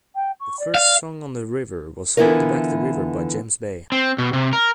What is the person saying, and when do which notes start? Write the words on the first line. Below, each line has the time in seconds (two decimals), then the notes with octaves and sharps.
The first song on "The River" was "Hold Back the River" by James Bay.
0.15 G5
0.40 C#6
0.59 D5
0.75 F5
2.17 D3 E3 B3 E4 F4 A#4
3.92 C4
4.18 B2
4.33 C3
4.53 A#4